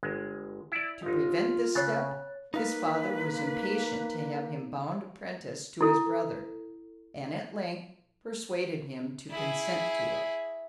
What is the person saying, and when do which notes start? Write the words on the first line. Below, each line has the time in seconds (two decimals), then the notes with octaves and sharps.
To prevent this step, his father was impatient to have him bound apprentice to his brother, and at length persuaded him to consent to it.
0.03 G1 G#3
0.72 E4 D5
1.02 G1 D#4 F4
1.75 C#3 C#5 F#6 A6
2.54 A#3 D#4 B4 F5
5.81 E4 A4
9.31 E4 G#4